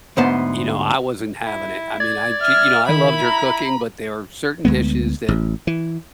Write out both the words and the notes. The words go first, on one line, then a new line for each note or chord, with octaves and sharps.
you know, I wasn't having it. I mean I g you know, I loved her cooking, but there are certain dishes that,
D2 G#2 B3 C5 A5
E4
D5 G#6
E5 F6
D#3 E4 B5
A#5
D2 G#3 B3
A1
E3